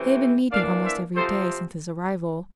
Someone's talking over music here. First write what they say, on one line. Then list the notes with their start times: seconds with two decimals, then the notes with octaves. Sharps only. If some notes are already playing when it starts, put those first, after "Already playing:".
They had been meeting almost every day since his arrival.
Already playing: C3 E3 A3 C4
0.50 E3 A#3 D4 D5 F5
0.83 C5 E5
1.14 C3 F3 C4 A4 C5